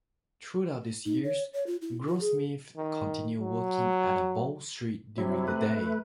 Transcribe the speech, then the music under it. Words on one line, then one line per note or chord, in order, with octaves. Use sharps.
Throughout these years, Grossmith continued working at Bow Street during the day.
D#4
C#5
C#5
F4
E4
F4
G#4
D#3
F#3
C3 F#3 E4
A3 B4